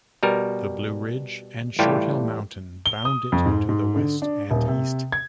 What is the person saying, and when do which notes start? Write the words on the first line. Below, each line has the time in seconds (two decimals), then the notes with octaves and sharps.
The Blue Ridge and Short Hill Mountain bound it to the west and east.
0.23 B2 G3 A#4
1.79 A2 E3 G3 F4 G4
2.86 G7
3.05 D#6
3.32 F2
3.46 G#2
3.69 G#2
3.96 D3
4.22 D4
4.50 D#1
4.68 C3
5.12 G#6